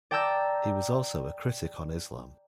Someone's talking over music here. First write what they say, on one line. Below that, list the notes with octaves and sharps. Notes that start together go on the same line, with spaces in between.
He was also a critic on Islam.
D5 G5 A5 A#5 E6 G6